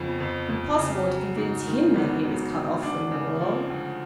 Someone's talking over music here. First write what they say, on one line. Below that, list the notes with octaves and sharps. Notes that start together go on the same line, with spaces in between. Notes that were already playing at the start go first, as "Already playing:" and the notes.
Impossible to convince him that he was cut off from the world!
Already playing: F2 C#3 F3 B3
F2
F2
C#3
F#3
G#2
D#3
G#1 B3
F#3
G#2
D2 D4
C#3
F3
D2